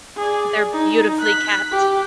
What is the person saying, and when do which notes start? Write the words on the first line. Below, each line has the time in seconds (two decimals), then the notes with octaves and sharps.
They're beautifully kept.
0.16 G#4 D5
0.73 D#4
1.19 F#6 B6
1.72 G4